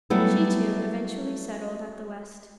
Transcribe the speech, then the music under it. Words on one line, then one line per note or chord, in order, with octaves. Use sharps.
She, too, eventually settled at the West.
F#3 G3 A3 B3 E4